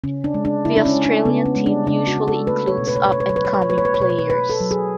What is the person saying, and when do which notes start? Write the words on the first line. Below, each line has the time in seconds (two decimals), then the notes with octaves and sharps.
The Australian team usually includes up and coming players.
0.04 C#3 C#4
0.24 D4
0.34 G#3
0.45 D4
0.65 C#3 E4
0.76 D4
0.85 C#4
0.96 G#3
1.05 D4
1.25 C#3 B3
1.46 C#4
1.56 G#3
1.66 D4
1.86 C#3 D4
2.07 F#4
2.17 G#3
2.28 A4
2.47 A3 B4
2.68 C#5
2.78 B2
2.88 B4
2.96 C#5
3.04 B4
3.08 B2 C#5
3.20 B4
3.29 C#5
3.36 F#3 B4
3.45 C#5
3.54 B4
3.62 C#5
3.69 A3 B4
3.78 C#5
3.85 B4
3.94 C#5
4.00 B2 B4
4.10 C#5
4.19 B4
4.30 B2 B4
4.50 A4
4.60 F#3
4.71 G#4